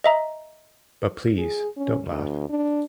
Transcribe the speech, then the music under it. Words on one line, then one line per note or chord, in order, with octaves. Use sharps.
But please don't laugh!
D#5 E5 A#5
G#4
C#4
D2
D4